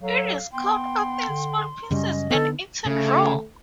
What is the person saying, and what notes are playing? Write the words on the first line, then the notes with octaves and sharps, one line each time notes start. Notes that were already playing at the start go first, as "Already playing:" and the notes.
It is cut up in small pieces and eaten raw.
F#3 A4 F5
B3 G5 C6
D3
F#2 C#3 G3 C#4 D#5
D3 B3 D#4 A4
C#3 A3